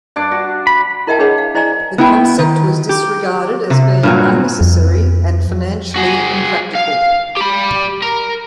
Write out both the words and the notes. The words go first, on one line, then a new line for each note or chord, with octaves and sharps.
The concept was disregarded as being unnecessary and financially impractical.
G2 D4 D5
F#4
B5
E4 A#4 D#5 E5 G5 A5
D4 G#4 B4 C#5 D#5 F#5
F5
E4 C5 D5 D#5 G#5 A#5
B3 E4 G5
D#3
G4
C3
G2 A#2 F#3
F2
F#4 G#4
F5
G4 B5
A#4